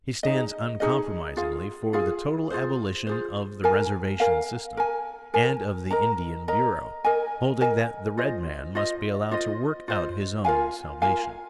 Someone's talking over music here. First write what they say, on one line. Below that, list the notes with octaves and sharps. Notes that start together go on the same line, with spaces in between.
He stands uncompromisingly for the total abolition of the reservation system and of the Indian Bureau, holding that the red man must be allowed to work out his own salvation.
D#4 G#4 D#5
D#4 G#4 D#5
F4 G#4 F5
F4 G#4 F5
F4 G#4 C5
F4 G#4 C5
A#4 F5 G#5
A#4 F5 G#5
A#4 G#5
A#4 G#5
A#4 D#5 A#5
A#4 D#5 A#5
A#4 D#5 G#5
A#4 D#5 G#5
F4 C5 D#5
F4 C5 D#5
F4 C5 D#5
F4 C5 D#5
F4 A#4 F5 G#5
F4 A#4 F5 G#5